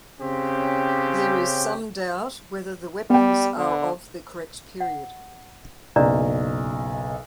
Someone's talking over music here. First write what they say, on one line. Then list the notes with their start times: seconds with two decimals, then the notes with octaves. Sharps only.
There is some doubt whether the weapons are of the correct period.
0.21 C#3 C4 C#4 G4
3.10 G3 B3 G5
3.57 D3
4.81 F#5
5.96 F#1 B1 C#4 D5 A#5